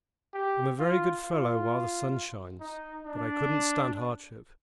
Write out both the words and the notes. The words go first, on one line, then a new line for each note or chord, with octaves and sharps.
I'm a very good fellow while the sun shines, but I couldn't stand hardship.
G4
F4
F4
D#4
D4